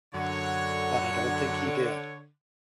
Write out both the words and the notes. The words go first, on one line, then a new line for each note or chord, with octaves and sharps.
But I don't think he did.
F#2 D3 C#5 F#5